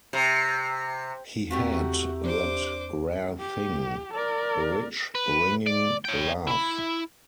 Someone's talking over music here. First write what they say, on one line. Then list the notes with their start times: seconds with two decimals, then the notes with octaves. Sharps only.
He had that rare thing, a rich, ringing laugh.
0.13 C3
1.51 E2 A3 C4 F#4 G4 A#4
2.23 D4 C5 D6
3.40 G4
4.14 A#4 D5
5.15 B4
5.67 D5
6.05 C#5 G5
6.48 E4 B5